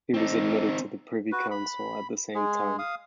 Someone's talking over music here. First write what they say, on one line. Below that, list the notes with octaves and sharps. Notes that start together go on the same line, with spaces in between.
He was admitted to the Privy Council at the same time.
C4 D#4
F#4 B4
B5
G#3 G#4
F5 D#6